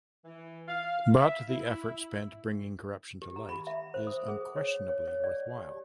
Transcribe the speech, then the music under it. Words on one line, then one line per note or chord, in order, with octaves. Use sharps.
But the effort spent bringing corruption to light is unquestionably worthwhile.
E3
F5
E5
E4
G4
A#5
B5
E5
C5
D#6
G#4
C#5
C#5
C#5
D5
G4